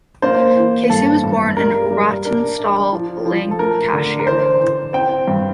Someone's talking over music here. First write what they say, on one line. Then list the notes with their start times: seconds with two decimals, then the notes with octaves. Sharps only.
Casey was born in Rawtenstall, Lancashire.
0.22 A#3 C5
0.56 E3
0.90 G2 A4
1.24 G2
1.57 G3 A#4
1.91 G3
2.25 D4 A#4
2.58 D4
2.92 F3
3.25 F3
3.51 A4
3.59 A3 A#4
3.93 D3
4.19 A#4
4.26 E3 C5
4.60 E3
4.93 C4 G5
5.28 G2